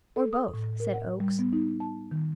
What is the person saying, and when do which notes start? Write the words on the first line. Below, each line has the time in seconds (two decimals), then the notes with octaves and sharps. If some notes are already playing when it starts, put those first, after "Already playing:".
"Or both," said Oakes.
0.16 A4
0.33 D#6
0.54 A2
0.80 A#4
0.94 F#5
1.20 G3
1.39 B3
1.53 D#4
1.80 A5
2.11 D#3